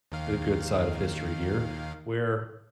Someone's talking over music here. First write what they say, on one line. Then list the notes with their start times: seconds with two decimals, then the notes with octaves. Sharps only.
the good side of history here, where
0.12 D#2 D#3 F5